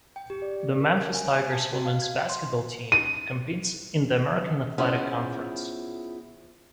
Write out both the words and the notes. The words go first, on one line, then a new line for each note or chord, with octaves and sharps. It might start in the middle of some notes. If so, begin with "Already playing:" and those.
The Memphis Tigers women's basketball team competes in the American Athletic Conference.
G5
G4
D5
A#4
G#6
G#5
C5
A5
F#4
F5
G#6
C6
D#7
B3 C#4 E4 F4 G#4 C5